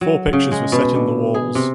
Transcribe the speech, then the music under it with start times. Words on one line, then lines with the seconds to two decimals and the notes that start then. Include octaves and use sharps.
Four pictures were set in the walls.
0.01 F#3
0.33 C#3
0.51 G#3
0.72 B2
0.95 D3
1.34 G#4
1.55 C3